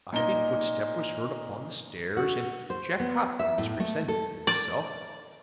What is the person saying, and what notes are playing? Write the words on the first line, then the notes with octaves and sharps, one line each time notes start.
A heavy footstep was heard upon the stairs, and Jack Hopkins presented himself.
A#2 D#4 A#5 G7
F#4
C5
B3
E5
A2
A3
A4
D5